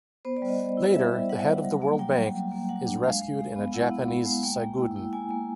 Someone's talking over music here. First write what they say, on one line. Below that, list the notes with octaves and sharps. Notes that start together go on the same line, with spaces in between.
Later, the head of the World Bank is rescued in a Japanese saiguden.
B3 C5
D5
G3
D#5
G3
E4
G3 E5
G3
G3 F#5
G3
F#3
A#3
F#3 G5
F#3
F#3
A#3
F#3 F#5
D4
G#3 F5
G#3
G#3
B3
E4 F#5
B3
B3
G#3
A#3 G5
A#3
E4
E4
A#3 G#5
A#3